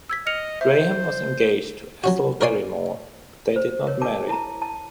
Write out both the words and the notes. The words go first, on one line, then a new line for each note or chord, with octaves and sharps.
Graham was engaged to Ethel Barrymore, but they did not marry.
E6 G#6 B6
D#5 F6 C#7 F7
C5 E5
F#3 C#4 F#4
A#4 C#5 D5 G#5 C6
C5
A#4 C#5
D4 A#4 A5 D6
E4 A5 A#5
A5